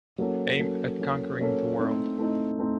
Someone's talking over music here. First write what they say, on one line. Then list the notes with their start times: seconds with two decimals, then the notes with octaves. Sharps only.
Aim at conquering the world.
0.18 F#3 A#3 C#4 A4
0.59 F#3 A#3 C#4 A4
0.99 F#3 A#3 C#4 A4
1.39 F#3 A#3 C#4 A4
1.79 A3 C4 D#4
2.18 A3 C4 D#4
2.59 A3 C4 D#4